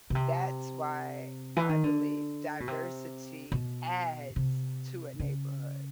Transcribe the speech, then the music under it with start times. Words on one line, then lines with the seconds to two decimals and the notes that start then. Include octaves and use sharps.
that's why I believe diversity adds to a neighborhood.
0.10 B2
0.15 C3
1.57 E3
1.69 D#3
1.84 D3
2.60 B2
2.68 C3
3.52 B2
4.36 C3
5.20 C#3